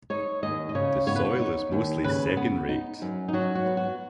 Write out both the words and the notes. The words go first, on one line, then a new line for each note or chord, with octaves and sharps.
The Soil is mostly second rate.
D#4 C#5
D#2 D#5
D#5
C#3 C#5
B3 C#5
B4
C#5
D#4
D#2
C#3 B4
B3
D#4
F#2
D#4
F#3 F#4
F#4
B3
F#4